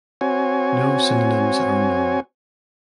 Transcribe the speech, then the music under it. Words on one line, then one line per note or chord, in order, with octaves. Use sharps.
No synonyms are known.
C4 F#4 C#5 G#5